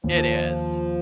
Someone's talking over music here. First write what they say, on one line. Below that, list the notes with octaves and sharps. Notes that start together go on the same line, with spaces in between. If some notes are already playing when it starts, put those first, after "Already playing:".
It is.
D#2 F3